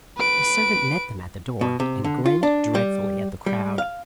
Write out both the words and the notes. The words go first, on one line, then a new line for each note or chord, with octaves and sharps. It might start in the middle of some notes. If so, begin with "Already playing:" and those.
The servant met them at the door, and grinned dreadfully at the crowd.
B4 D7
B2
C3
D3
F4
D4
G3
G3
F5